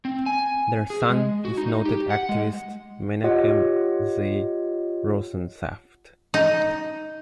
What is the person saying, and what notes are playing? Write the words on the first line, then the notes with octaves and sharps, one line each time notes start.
Their son is noted activist Menachem Z. Rosensaft.
C4
G#5
G#4
G#3
F#4
D#4
G4
F#5
G#3
F4 G4 C#5 D#5 F#5
D#4